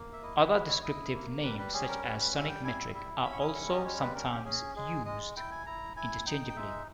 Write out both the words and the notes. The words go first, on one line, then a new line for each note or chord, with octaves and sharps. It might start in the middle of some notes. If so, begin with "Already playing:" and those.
Other descriptive names such as sonic metric are also sometimes used, interchangeably.
Already playing: A#3
E5
E4 D#5
B4
E4 B4
C#5
E4 D#5
A#3
G3 B4
B4
C#4 G#4
A#4
G3 B4
B4
G3 E5
G5
E4 G#5
E5
E4 E5
C#4 B5
C#6
D#6
G3 C#6
D#5
G#3 C#5
B4
C#4 A#4
G4
C#4 G#4
G#3 G#4
G#3 D#5
E4 G5
G#5
E4 A#5
E4 G#5
D#4 G5
G5
G#3 E5